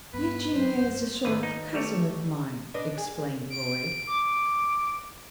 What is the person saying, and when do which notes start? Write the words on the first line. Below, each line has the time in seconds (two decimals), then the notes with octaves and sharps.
"Eugenia is a sort of cousin of mine," explained Lloyd.
0.14 G2 B3 B4 B5
0.53 F#2 D#3 C#4 C5
0.77 C#2 G2 G6
1.24 G#1 G#2 D3 D#3 B4
1.43 D#4 B4
1.74 G3 A3 C#5
1.90 D5 C#6
2.74 D4 B4 D#5
2.98 G#4
3.50 D7
4.07 D6